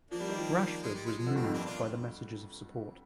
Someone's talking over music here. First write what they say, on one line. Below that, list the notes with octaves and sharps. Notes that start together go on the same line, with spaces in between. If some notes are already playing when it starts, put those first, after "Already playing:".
Rashford was moved by the messages of support.
F3 A#3 D4
G3
D#3
F3
G#3
G3
G#3
F3 G#3
D3
G2 C4
F2
G2 A#3 D4
D4 F4